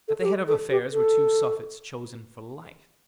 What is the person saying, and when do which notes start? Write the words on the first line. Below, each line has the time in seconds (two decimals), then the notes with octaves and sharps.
At the head of affairs were two suffetes chosen for life.
0.08 A4
0.20 A4
0.25 G4
0.48 A4
0.70 G4
0.92 A4